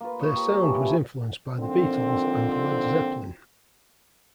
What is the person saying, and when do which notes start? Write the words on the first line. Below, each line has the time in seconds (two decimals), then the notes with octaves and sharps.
Their sound was influenced by The Beatles and Led Zeppelin.
0.01 A#3 F4 B4
0.20 C#5 D#5
0.35 G4 A#5
0.49 D#4 C#6
0.61 E3 F3 G3 D4
0.80 C#4 E4 A4 E5
1.58 A#2 D3 D#3 F3 C4